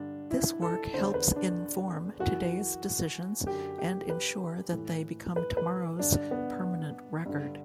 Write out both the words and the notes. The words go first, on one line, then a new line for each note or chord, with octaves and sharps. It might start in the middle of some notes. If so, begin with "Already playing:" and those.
This work helps inform today's decisions and ensure that they become tomorrow's permanent record.
Already playing: G2 D3 D4
E4
A4
E2 D3 C5
B4
D4
F#2 E3 F#4
F#2 D3 G4
G4
B4
A2 E3
B4
B4
G2 D3 D4
B3
G2 D3